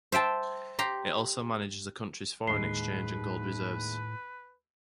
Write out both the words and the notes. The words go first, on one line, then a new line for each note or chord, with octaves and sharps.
It also manages the country's foreign exchange and gold reserves.
C5 E5 G5 A5
G4 A#5 C6
D#2 A2 G#3 B4 C7 G7